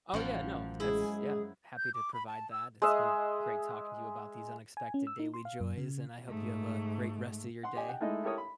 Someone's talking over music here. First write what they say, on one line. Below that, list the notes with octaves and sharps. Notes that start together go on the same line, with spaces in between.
Oh, yeah, no, that's yeah. Happy to provide that. It's been great talking to you about these unexpected daily joys, and I hope you have a great rest of your day.
A1 F#2 F3
G#3 E4 G#4
G6
D6
B5
A5
E6
G#3 D#5 E5
G#5
C#4
E6
D#4
C6
F5
F#2
C#3
G#2 A3
F#5 C6
G4 D#5 G#5
F#5 G5
G#3 A3 D#4 E4 D#5
E4 G4 A4 A#4 C#5 D#6
B5